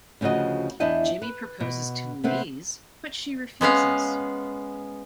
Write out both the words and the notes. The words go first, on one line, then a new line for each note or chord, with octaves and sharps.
Jimmy proposes to Louise but she refuses.
D2 C#3 F3 F#4 D#5
E2 D4 E4 D#5 G5
B4
B2
C3 B3 C4 B4
G#3 B3 C#4 F5